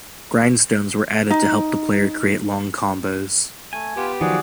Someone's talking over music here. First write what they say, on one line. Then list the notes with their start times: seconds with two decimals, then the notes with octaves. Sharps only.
Grindstones were added to help the player create long combos.
1.30 D#4
3.73 A3 G#5
3.96 B3 F4 G4
4.21 D#3 F3 F#3 F#4 G#4 D5